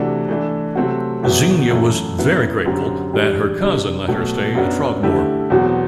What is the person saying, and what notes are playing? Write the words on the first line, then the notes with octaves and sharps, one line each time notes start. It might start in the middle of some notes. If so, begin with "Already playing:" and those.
Xenia was "very grateful" that her cousin let her stay at Frogmore.
Already playing: C3 E3 A3 D4 F#4
E3 A3 D4
C3 F#3 A3 C4 F#4
E2 B2 F#3 B3 E4
F#2 E3 A3 E4
F#2 F#3 B3 E4
F#2 D3 F#3 C4 G4
E3 G3 D4 G4
C3 G3 D4
B2 F#3 A3
F#2 F#3 B3 D4 F#4
D3 A3 E4 G4
E2 B2 F#3 C4 F#4